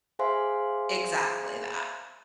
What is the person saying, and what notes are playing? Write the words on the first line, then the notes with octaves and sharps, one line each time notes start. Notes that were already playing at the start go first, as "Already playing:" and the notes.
Exactly that.
G#4 C5 E5 F5 G#5 C6